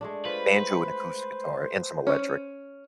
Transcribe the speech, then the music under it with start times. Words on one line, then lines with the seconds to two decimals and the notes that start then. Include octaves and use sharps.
banjo and acoustic guitar, and some electric.
0.01 G#3 A3 D4
0.25 F4 B4 C5
2.07 C#4